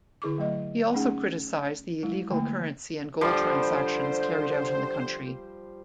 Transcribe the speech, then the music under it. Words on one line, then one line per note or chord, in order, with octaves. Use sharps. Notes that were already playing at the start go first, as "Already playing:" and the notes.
He also criticised the illegal currency and gold transactions carried out in the country.
D3 E4 G#4 C#6 D6
F#3 A3 D#5
A3 C#4 D#4 G#4 F#5
F#3 G#3 E4
D3 E3 A3 A#3
D3 F3 G3 C5